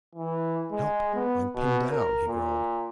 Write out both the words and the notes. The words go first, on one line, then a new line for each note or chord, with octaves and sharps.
"Help, I'm pinned down," he groaned.
E3
G#3
B3
B2
A#4
A#2